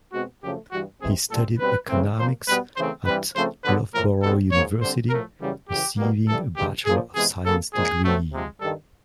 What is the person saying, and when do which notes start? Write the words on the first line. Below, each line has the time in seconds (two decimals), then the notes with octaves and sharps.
He studied economics at Loughborough University, receiving a Bachelor of Science degree.
0.13 B2 G#3 C4 F#4
0.43 F#2 C#3 F3 A3 G4
0.71 G2 E3 G3 F#4
1.01 C3 E3 G#3 C4 G#4
1.30 A#2 G3 C4 A4
1.59 B2 G3 C4 B4
1.89 C#3 E3 A3 C4
2.17 A#2 F3 A#3 C5
2.47 B2 G3 B3 B4
2.76 C#3 E3 A3 C4 C5
3.06 G2 E3 G3 C4 B4
3.35 C#3 F3 A3 C4 C5
3.64 D3 F#3 B3 B4
3.93 A2 F3 A#3 A#4
4.22 B2 G3 C4 A4
4.51 G#2 F3 A#3 C#5
4.82 D3 G3 C4 C5
5.10 A2 F3 A3 A#4
5.39 F#2 C#3 E3 G3
5.68 F#2 C#3 E3 G4
5.98 B2 G3 A#3
6.27 G2 E3 G3 A4
6.56 G2 D#3 G#3 G4
6.85 A#2 F3 A#3 G#4
7.14 C3 E3 G#3 B3 G#4
7.44 C#3 F#3 A#3 A4
7.73 A#2 F3 G#3 C4 G#4
8.03 B2 F#3 A3 C4
8.31 C3 F3 G#3
8.61 G2 D#3 G3 A4